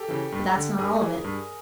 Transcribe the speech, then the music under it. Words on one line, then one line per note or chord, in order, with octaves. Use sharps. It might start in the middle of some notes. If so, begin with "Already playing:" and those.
But that's not all of it.
Already playing: G4 A4
C#3 E3
G2
D3
G2 G#4 A#4
E3
G2